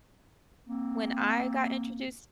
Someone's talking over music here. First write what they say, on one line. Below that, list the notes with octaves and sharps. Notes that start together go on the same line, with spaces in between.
when I got introduced
A#3 C4